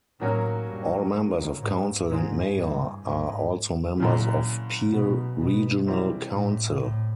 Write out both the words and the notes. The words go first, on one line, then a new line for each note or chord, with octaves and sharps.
All members of council and mayor are also members of Peel Regional Council.
A2 D#3 F#3 A#3 C#4
G2
G#2
G#2 E3 G#3 C4
G2
G#2
F#2 A#2 C#3 E3
B2
B2
C3 E3 G3 C4 E4
A2
A2